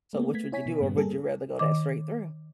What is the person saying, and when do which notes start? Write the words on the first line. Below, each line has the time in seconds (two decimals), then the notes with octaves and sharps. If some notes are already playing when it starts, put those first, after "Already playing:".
So, which would you do, or would you rather go that straight through?
0.13 G#3 A#3 B3
0.34 A3 B3 G#6 B6
0.52 E4 C#5 G#5 B6
0.66 B2 D3 D#3
0.81 G2 A#2 D#3 G3 B3
0.95 D3 G3 A#3 G#4 A4
1.59 D#3 D#5 D6